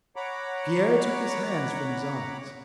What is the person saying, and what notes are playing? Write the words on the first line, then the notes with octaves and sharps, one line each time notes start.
Pierre took his hands from his eyes.
C#5 F#5 A#5 B5 D6